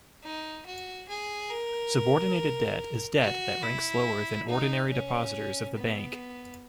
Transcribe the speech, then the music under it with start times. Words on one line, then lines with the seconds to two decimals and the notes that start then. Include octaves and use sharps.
Subordinated debt is debt that ranks lower than ordinary depositors of the bank.
0.23 D#4
0.66 F#4
1.09 G#4
1.50 A#4
3.22 F#4
3.63 E4
4.49 D#4
4.91 C#4
5.76 B3